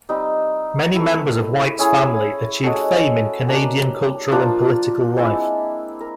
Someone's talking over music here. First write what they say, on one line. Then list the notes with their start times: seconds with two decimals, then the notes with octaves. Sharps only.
Many members of White's family achieved fame in Canadian cultural and political life.
0.09 G3 C4 D#4
0.93 A3 C4 E4
1.79 C#4 E4 G#4 C#5
2.63 G#3 C#4 F#4 A4
3.47 F#3 A#3 D4 G4
4.32 F3 A#3 D4 F4
5.17 G#3 C4 E4
6.01 A#4